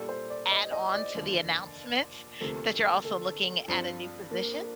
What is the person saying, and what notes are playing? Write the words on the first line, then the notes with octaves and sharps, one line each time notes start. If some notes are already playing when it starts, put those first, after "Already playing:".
add on to the announcements that you're also looking at a new position?
Already playing: A#2 G3 D4 G4 A4
C5
D5
D#5
D#5
D5
F1 D#2 D3 F3
D2 C3 F3 A#3 A4
A4
G2 F3 C4 F4
A#3